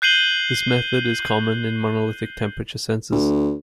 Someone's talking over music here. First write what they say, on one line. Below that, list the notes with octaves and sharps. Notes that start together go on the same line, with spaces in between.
This method is common in monolithic temperature sensors.
F#6 G6 C7 D#7 F#7 G7
D2